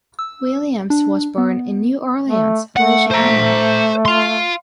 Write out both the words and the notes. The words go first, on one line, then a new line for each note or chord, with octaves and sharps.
Williams was born in New Orleans, Louisiana.
E6
D4
B3
A3
A3 F#5
C5 A#5
F5 C6